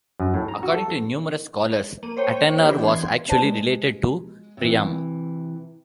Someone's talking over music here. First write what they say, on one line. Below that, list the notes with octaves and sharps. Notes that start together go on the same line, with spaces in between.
According to numerous scholars, Antenor was actually related to Priam.
F#2
A2
A#5
F#4
A4
A#3 D#7
C5 C#5 G5
E3 B3 D4 G4
C6 G#6
D4 D#4 B4 C5 A5
G#3
C3 E3